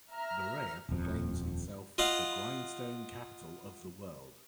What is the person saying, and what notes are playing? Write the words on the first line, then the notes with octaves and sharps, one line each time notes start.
Berea proclaims itself "The Grindstone Capital of the World".
E5 A#5 F6
D#1 F2
F4 D#5 F5 F#5